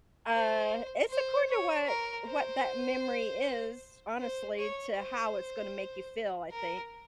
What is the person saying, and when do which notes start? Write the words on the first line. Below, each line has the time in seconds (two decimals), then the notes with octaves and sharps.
Uh, it's according to what what that memory is, honestly, to how it's gonna make you feel, I think.
0.33 C5
1.10 C5
1.49 C#5
1.87 A#4
2.26 C5
4.20 C5
4.58 C#5
4.97 C5
6.51 A#4